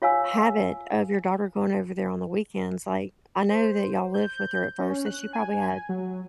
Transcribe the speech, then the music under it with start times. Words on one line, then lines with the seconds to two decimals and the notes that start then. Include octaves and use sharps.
habit of your daughter going over there on the weekends? Like, I know that y'all lived with her at first, so she probably had
0.02 F4 C#5 F5 G#5 E6
3.50 C5
4.14 G6
4.79 C#4
5.06 F#6
5.33 G#5
5.89 F#3